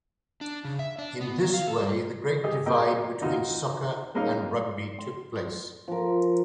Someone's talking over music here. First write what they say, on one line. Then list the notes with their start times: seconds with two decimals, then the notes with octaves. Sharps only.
In this way the great divide between soccer and rugby took place.
0.41 D4
0.65 C#3
0.79 E5
0.98 D4
1.21 B3
1.39 D#3
1.54 F5
1.67 A4
1.81 G3
2.44 G4 G#4 D#5
2.66 A#3 G#4 D#5 G5
3.21 D#2 D#4 F4 F#4
4.15 G#3 A#3 C#4 D#4 A#4 F5
4.99 C6
5.88 F3 A#4